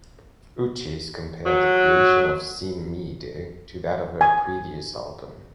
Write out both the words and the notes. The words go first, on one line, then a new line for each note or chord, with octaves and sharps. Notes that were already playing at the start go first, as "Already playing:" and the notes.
Uchis compared the creation of "Sin Miedo" to that of her previous album.
F#3
G#5